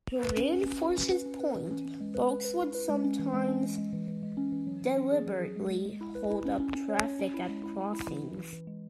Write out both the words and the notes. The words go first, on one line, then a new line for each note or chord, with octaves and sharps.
To reinforce his point, Boaks would sometimes deliberately hold up traffic at crossings.
B4
C#4
C#4
C#4
F#4
C#4
B4
C#4
B4
E3
C#4
C#4
G#3
B4
B4
B4
E4
B4
G#3
C#4
E3
G#3
C#4
G#3
G#3
E3
E3
G#3
C#4
E3
F#3
F#3
C#4
G#4
F#3
G#4
G#3
G#3
G#3
E4
B4
E4
C#4
C#4
C#4
C#5
C#4
C#4
E4
G#3
E4
E4
E4
E3
E3
E3
E3
G#3